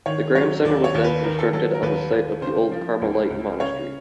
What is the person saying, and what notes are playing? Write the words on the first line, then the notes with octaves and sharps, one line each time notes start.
The Graham Center was then constructed on the site of the old Carmelite Monastery.
D#3 C#5
F#3 C#5
D#2 D5
C#5
D#2
B4
D#3 A#4
A4
F#3 A4
A#4
D#2 B4
D#2
C#3 C5
F3
C#2
C#2
C#3 C#5